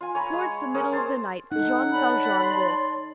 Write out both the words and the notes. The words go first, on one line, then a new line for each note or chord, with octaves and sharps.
Towards the middle of the night Jean Valjean woke.
F4 G#5
C#5 G#5 A#5 B5
G#3
C#4 G#4 A#4 F#5
C5 A5 C6
D#4 A4 F#5
C#5 D5 A5 B5
C6